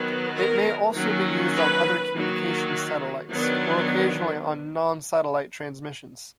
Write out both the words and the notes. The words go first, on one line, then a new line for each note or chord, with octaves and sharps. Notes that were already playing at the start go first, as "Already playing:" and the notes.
It may also be used on other communications satellites, or occasionally on non-satellite transmissions.
Already playing: D#3 F#3 B3
A#4
D#3 F#3 A#3 C#4
B4
D#3 F#3 A#3
D#3 F#3 B3 D4